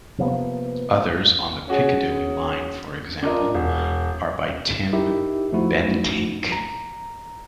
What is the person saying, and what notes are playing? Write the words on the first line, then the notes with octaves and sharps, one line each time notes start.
Others, on the Piccadilly line for example, are by Tim Bentinck.
C3 F3 A#3 B3
C#4 F#4 G#4 C#5
D4 F4 A#4 D#5
E1
D#4 E4 G4 A#4 E5
F3 A3 D#4 E4 F#4
A#5